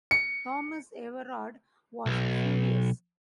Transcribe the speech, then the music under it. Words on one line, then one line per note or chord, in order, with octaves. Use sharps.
Thomas-Everard was furious.
C#7
B1